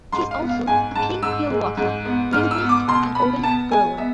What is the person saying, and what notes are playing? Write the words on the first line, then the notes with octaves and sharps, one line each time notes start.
She is also a keen hill-walker, linguist and organic grower.
G#2 C6
F5
B3
F5
G#2 G#5
G#2 A5
G#2 E6
G#3
G#2
B3
G#2 F6
E6
B3
D6
B2 C6
B3 B5
B3 A5
G#3 G#5
B3 E5